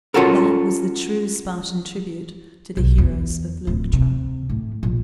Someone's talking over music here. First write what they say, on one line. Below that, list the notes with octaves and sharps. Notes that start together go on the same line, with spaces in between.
That was the true Spartan tribute to the heroes of Leuctra.
C#4 F4 F#4 A4 A#4
B1
E2
D1
C3
A2
A#1